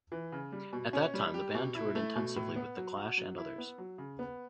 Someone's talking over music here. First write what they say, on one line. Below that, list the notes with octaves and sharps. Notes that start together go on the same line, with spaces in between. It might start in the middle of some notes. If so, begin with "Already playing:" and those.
At that time the band toured intensively with The Clash and others.
E3
C#3
G3
B2
C#4
G3
G4
B2
E4
A3
B2
A2
B3
F#3
F#4
F#3
E4
B3
F#3
C#3
B3